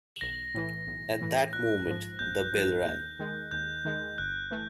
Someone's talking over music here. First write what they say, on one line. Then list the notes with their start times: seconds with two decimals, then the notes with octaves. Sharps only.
At that moment the bell rang.
0.21 B1 A#6
0.54 A2 E3
0.87 B1
1.21 A2 E3
1.53 A#1 F#6
1.87 G#2 F3
2.19 A#1 G6
2.53 G#2 F3
2.85 D#2
3.19 D#3 G#3
3.51 D#2 G6
3.85 D#3 G#3
4.18 G1 F#6
4.51 E3 A3